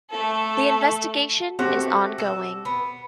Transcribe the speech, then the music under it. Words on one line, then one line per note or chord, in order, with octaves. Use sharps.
The investigation is ongoing.
A3 A4
A3 C4 F#4 G4
A4
B3